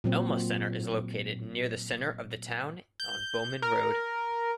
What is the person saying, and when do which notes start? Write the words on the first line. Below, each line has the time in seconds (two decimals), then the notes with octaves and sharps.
Elma Center is located near the center of the town on Bowen Road.
0.04 A#2 F#3 C4
3.00 G6
3.62 A#4